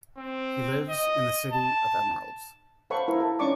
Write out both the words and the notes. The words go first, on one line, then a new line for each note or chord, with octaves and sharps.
He lives in the City of Emeralds.
C4
D#5
A5
A4 C5 F5 F#5 B5 C#6
E4 A#4
A4
C#4 D#4 D5 C#6 D6